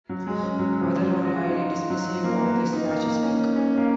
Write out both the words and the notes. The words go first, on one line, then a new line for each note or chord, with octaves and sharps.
Others are highly dismissive of this slashy speak.
F#3
G#3
C#4
F#3
F3
F#3
F#4
F4
D#4
F4
F#3
A#3
B3
B3
D#4
A#3
A#3
C#4
C#4
A#3